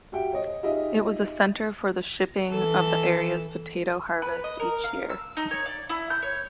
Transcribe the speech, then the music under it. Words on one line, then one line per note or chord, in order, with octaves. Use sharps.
It was a center for the shipping of the area's potato harvest each year.
F#4 G4 E5 G5
C#5 D#5
D#4 F4 G4 G#4 D#5 E5
E3 A4
B4
D#5
A#4
F5
E6
D#4
C#5
D5
E4
G6
C#5